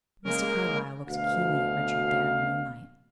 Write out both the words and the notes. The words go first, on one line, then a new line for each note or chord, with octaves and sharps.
Mr. Carlyle looked keenly at Richard there in the moonlight.
C#3 G#3 A#3 A#4
D2 B2 F5